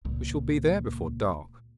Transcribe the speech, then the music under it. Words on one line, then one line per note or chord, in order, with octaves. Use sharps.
'We shall be there before dark.'
C#2 A#2